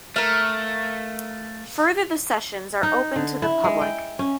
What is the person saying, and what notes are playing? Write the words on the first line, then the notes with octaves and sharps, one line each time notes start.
Further the sessions are open to the public.
A3 A#4 F5
D#4
D3
E4
G#3
G5
C#4